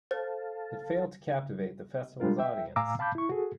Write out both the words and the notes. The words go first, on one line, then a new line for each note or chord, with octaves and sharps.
It failed to captivate the Festival's audience.
A4 C5 F5 A5
G3 G#3 D4 F4 A#4
E5 G5
A2 F5 G#5 A#5 D6 E6
F5 A5 B5 D6 G6
E4 C#6
F#4 G#4 A4